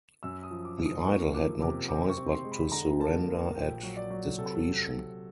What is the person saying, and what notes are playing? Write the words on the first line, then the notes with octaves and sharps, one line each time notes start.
The idol had no choice but to surrender at discretion.
F#2 E6
D#6
F3
D6
F#2
D#6
A#3 C#6
F3 D6
C3 D6
C4 D6
C#6
C4
C6
G#3
B5
D3 A#5
A#3 A5
A#3
A#1 G5
F#3
D5
F#3
C3 A4